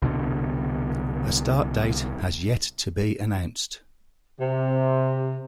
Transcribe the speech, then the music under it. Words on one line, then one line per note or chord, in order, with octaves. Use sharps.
A start date has yet to be announced.
C2 B2 D3
C3